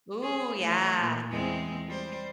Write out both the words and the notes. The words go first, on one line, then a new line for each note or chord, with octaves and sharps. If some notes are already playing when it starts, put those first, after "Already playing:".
Ooh, yeah.
G#4
E3 A3
A#2
E2 G#3 C4
G3 C5